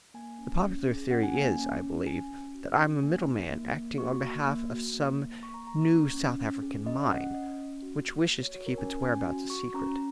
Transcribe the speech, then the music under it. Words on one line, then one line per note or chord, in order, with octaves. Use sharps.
The popular theory is, I believe, that I am a middleman acting on behalf of some new South African mine, which wishes to keep its whereabouts a secret.
A#3 G#5
C#4
C#4
G#4
C#4 F#5
G#5
A#3 G#5
C#4
C#4
C#4 G#5
C#4
F#4
C#4
A#3 G#5
D#4
A#3
A#3
F#4 C#6
A#3
A#3
F#4
A#3
A#3
A#3 C#6
A#5
A#3 A#5
C#6
C#4
C#4
C#4
G#4
C#4 D#5
C#4 F#5
C#4 D#5
C#4
F#4
A#3
F#4
C#5
F#4 C#5
A#4
C#4 G#5
C#4 G#5
F#4
F#4 C#6
C#4 A#5